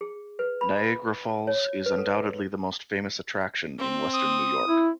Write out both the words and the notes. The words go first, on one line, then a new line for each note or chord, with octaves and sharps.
Niagara Falls is undoubtedly the most famous attraction in Western New York.
G#4
B4
B5
C#5
B4
A4
C4
D#6
E4